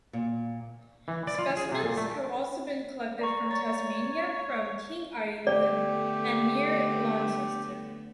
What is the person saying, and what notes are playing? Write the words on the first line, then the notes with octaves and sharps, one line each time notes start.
Specimens have also been collected from Tasmania from King Island and near Launceston.
A#2
E3
D5
F4
G#4
C3
A#2
A3
D5 A#5 C#6
C#5 D5 A#5 A6
D3 A3 B3 G4 D5